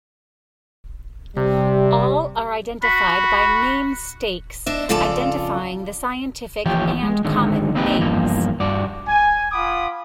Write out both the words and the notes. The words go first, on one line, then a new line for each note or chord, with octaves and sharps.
All are identified by name stakes identifying the scientific and common names.
C3 G3
F#4 B5
D4 D#5 E5
F2 C#3 F4 A4 D5 A5
D#2 E3 F3 G4 C#5 G5
G#3
D3 D#3 G#3
A#3 C4 D#4 E4 G4 B4
E2 G2 F3 A#3
G2 F#4 D5
G#5
F4 F#5 B5 D6 D#6